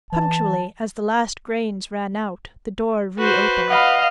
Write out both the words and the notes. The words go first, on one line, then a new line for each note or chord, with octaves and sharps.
Punctually as the last grains ran out, the door reopened.
E3 A5
F#4 B4 C5
D#5 F5 F#5 B5